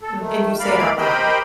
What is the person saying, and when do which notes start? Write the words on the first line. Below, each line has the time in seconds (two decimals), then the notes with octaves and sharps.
M and you say it out loud.
0.01 A4
0.19 D#3 A3
0.60 D2 G#3 A#4 D5 F5 B5
0.98 G4 A#4 C5 D#5 G5 B5